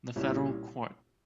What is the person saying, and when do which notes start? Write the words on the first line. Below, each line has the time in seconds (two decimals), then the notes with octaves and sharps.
The federal court.
0.16 C2 A#2 G3 C#4 E4